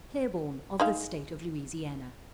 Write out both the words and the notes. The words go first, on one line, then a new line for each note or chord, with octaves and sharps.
Claiborne of the state of Louisiana.
G#3 D#4 F5